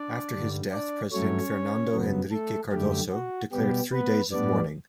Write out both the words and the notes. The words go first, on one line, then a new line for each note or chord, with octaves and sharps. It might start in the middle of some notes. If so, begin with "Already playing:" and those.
After his death President Fernando Henrique Cardoso declared three days of mourning.
Already playing: D4 D5
G2 D3 G3
D4 D5
G2 F#3 A3 C#4 C#5
F#2 C#3 F#3 B3
A3 A4
F#2 D3 G3 A3 G4
F#4
B2 G3 B3 G4
B3 B4
A2 G3 B3 D4 D5